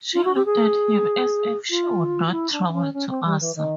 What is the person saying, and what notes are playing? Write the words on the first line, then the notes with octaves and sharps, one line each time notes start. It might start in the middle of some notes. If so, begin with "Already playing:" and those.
She looked at him as if she would not trouble to answer.
F4
F#4
G4
G#4
F4
F4
E4
D4
D4
C#4
C#4
C4
G3
E3
D#3